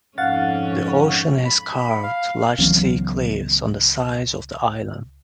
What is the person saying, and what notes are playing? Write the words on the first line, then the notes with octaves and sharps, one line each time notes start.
The ocean has carved large sea cliffs on the sides of the island.
F2 G#2 C#4 F5 F#5 A6
B5
F5
C#2 E3 F#3 B3